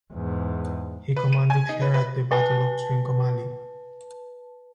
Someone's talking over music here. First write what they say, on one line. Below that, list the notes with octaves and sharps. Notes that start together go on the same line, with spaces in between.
He commanded her at the Battle of Trincomalee.
E2 G#2
B4
D#7
G#5
D#4
B4
B4
B4 A5